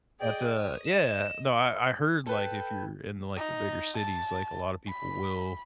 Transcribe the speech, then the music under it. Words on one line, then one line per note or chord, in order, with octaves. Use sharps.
But, uh, yeah. No, I I heard, like, if you're in, like, the bigger cities, like, a lotta people will,
G#4 D5 D#5 G5
C#5 D#6
D#5 E7
A4 B4 G5
D#4
A5
B5